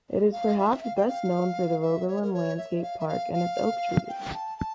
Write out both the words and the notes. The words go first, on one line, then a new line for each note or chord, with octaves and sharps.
It is perhaps best known for the Rogalin Landscape Park and its oak trees.
F5
E5
F5
G5
F5
E5
C#5
A#4
C#5
E5
E5
F5
E5
F5
F5
G5
A5
A5